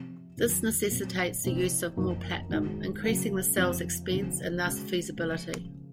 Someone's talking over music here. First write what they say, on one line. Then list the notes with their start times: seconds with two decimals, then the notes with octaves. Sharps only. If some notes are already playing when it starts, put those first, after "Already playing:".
This necessitates the use of more platinum, increasing the cell's expense and thus feasibility.
Already playing: C3 F3 C4
0.37 F2 D#3 F#3
0.90 A#2 F#3 C4
1.44 C2 C3 F3 C4 D#4
1.97 F#2 F3 A#3 D#4
2.50 G#2 D#3 G#3 D#4 F#4
3.04 C#3 F#3 A#3
3.57 F2 C3 F3 C4 F4
4.10 D#2 C#3 F#3 C4
4.64 C#3 G#3 C#4 F#4
5.17 C#3 F3 A#3